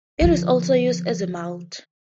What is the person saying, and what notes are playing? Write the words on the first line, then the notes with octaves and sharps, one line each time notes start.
It is also used as a mulch.
D3 F3